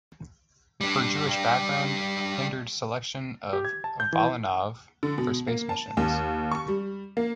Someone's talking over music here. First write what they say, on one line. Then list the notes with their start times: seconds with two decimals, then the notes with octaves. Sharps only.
Her Jewish background hindered selection of Volynov for space missions.
0.81 G3 D4
3.53 G4
3.65 G#6
3.84 A5
4.00 G6
4.13 E3
5.03 D3
5.18 B2
5.48 A#3
5.69 A5
5.97 D#2
6.52 C#6
6.68 G3
7.17 A#3